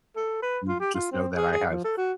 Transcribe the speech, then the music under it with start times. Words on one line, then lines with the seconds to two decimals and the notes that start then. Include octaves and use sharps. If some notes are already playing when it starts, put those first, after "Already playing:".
You just know that I have
0.16 A4
0.42 B4
0.68 F4
0.80 G4
0.94 F4
1.12 C4
1.34 G#4
1.52 G#4
1.71 F3
1.84 A4
1.97 F#4